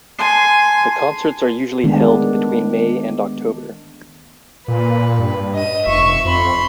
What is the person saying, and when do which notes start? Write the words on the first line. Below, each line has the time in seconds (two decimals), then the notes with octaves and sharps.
The concerts are usually held between May and October.
0.18 G#5 A5 C6 C7
1.84 D#3 G#3 A3 B3 D4
4.68 A#2 B4
5.19 G2
5.54 D#5 D#7
5.86 F1 E5 C#6
6.25 F2 B5 C6